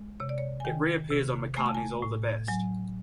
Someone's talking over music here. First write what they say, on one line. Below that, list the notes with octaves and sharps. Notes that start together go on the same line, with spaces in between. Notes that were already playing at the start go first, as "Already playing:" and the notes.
It reappears on McCartney's All the Best!
Already playing: G#3
C3 C#5
D5
C#5
G#5
D#3 G5
C3
A3 G#5
A5
G#5
A2
F#3 G#5